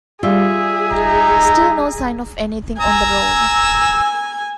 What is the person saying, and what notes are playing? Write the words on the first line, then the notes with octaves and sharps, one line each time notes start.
Still no sign of anything on the road.
G3 F4 G#4 E5
D#4 A#5
G#5 A#5 E6